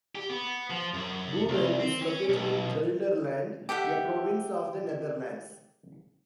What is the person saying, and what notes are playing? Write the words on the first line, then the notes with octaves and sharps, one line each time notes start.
Buren is located in Gelderland, a province of the Netherlands.
G4
B3
F3
F#2
C2
C4
C#4
B1
G4 A4 E5 F#5